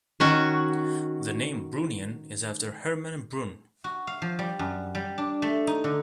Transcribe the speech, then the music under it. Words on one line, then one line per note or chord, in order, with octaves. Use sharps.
The name "Brunnian" is after Hermann Brunn.
D#3 C#4 F#4
F#4
F5
F3
G3
F#2
G3
D4
A3
D#4
D3